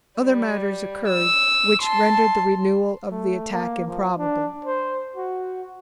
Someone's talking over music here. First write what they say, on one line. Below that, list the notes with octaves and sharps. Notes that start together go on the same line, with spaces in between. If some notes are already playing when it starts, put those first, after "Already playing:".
Other matters occurred which rendered the renewal of the attack improbable.
G3
E6
A5 C6
A3
A#3
F3
D4
C5
F#4